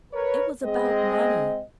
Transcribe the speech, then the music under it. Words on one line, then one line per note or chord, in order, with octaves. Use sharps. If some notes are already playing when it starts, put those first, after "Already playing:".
'It was about money.
A#4 B4 C#5
G#3 C4 G#4 D#5